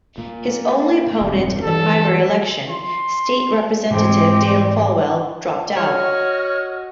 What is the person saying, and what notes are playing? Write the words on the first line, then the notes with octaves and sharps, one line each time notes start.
His only opponent in the primary election, State Representative Dale Folwell, dropped out.
A#2
E1 G2 C4
G2 E3 A4
C6
G#2 E3 G#3 C4 G4
F#4 C#5 D#5 F6